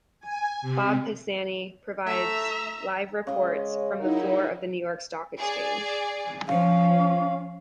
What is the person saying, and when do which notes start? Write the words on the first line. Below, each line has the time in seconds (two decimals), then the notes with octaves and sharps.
Bob Pisani provides live reports from the floor of the New York Stock Exchange.
0.20 G#5
0.62 C3
2.06 A3 E5 A#5
3.27 C#3 G#3 C#5 D#5
3.99 F#3 D#4 E4 A#4
5.38 G#4 D5
6.48 F3 C#4 F5